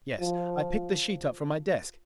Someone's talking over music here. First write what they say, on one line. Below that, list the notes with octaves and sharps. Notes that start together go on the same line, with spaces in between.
"Yes." I picked the sheet up from my desk.
F3